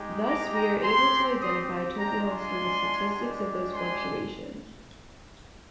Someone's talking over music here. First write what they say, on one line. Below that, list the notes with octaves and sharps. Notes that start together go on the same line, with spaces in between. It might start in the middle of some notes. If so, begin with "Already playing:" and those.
Thus, we are able to identify turbulence through the statistics of those fluctuations.
Already playing: G#3 D#4 G4
A#5 D6
G5 A#5
C4 G4 G#5 C6
C6 D#6
G#3 D4 F4 G5 A#5
G#5 C6
G#3 D4 G4
G#5 C6